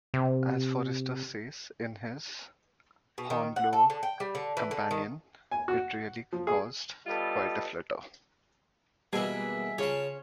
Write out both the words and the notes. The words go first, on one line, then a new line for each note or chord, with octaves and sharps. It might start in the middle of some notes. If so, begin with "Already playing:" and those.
As Forester says in his "Hornblower Companion", "...it really caused quite a flutter".
C3
B2
D#3
F#5
A4
D3
G5
G3
D3
E3
D3
D#3
G#5
F#4
F3
G#4
G3 B3 F4 A4 D#5
B2 E3 G3 G#3 A#3 B3 G#4 E5
C#3 C#4 F4 G#4 C#5 A5